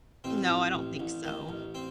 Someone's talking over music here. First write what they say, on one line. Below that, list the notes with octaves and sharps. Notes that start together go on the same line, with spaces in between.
No, I don't think so.
A1 C4
A1
A1
A1
D#3
A1
C4